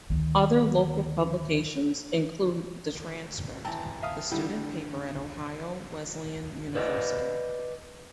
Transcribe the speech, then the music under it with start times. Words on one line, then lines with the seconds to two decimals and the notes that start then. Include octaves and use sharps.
Other local publications include "the Transcript", the student paper at Ohio Wesleyan University.
0.10 D2 D#3
3.65 E3 C4 A5 A#5
4.03 E5 F5 D#6
4.32 D3 G3 E4
6.75 B4 D5 D#5